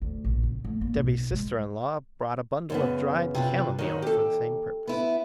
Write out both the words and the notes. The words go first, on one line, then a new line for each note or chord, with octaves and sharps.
Debby's sister-in-law brought a bundle of dried chamomile for the same purpose.
D2
A#1
C#3
A3
A#3
B1
G#3
F#2 C#3 B3
C3 F4 B4
D#2 D#3 F#3
G4 A4
B3 E4